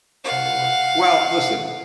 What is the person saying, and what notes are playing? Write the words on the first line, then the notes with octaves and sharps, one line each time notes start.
lord well, listen.
F5 F#5